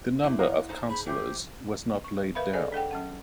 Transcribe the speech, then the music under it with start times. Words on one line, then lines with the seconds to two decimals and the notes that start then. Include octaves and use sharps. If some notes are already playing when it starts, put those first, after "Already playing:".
The number of councillors was not laid down.
0.24 E2 E4
0.39 F5 F#5 A#5
0.69 D#4 C5 A5
0.89 G#4 B5
1.06 E3 G4 C5
2.04 C#6
2.35 A#4 B4 E5 F5 B5
2.53 G#4 A4 C5 D5 D#5 G#5
2.72 D4 A4 F#5 G5
2.91 F#3 C#4 F#5